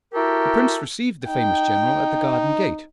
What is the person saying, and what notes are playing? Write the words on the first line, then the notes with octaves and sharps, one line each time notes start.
The prince received the famous general at the garden gate.
E4 F#4 G4 A4 A#4
D#4 G5